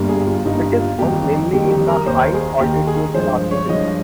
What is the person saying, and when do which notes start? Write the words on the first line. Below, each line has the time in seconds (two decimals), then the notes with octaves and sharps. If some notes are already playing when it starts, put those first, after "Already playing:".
It is found mainly in the high altitude grassy hills.
Already playing: G1 G2 G3 A#3
0.09 G#4
0.27 F4
0.45 G1 G2 G3 A#3 D#4
0.72 F4
0.99 F2 D#3 G3 A#3 G4
1.53 F2 D#3 G3 A#3 G4
1.71 G4
1.88 A#4
2.06 D#2 D#3 A#3 C5
2.34 G#4
2.60 D#2 D#3 A#3 G4
2.87 G#4
3.14 G2 F3 G#3 C5
3.51 C#5
3.68 G2 F3 G#3 D#5